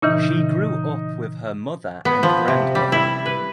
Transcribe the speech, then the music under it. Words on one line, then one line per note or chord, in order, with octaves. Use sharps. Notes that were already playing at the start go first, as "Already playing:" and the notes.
She grew up with her mother and grandmother.
A#2 C#3 E3 D#4
B3
F3
C3
G3
E4
B4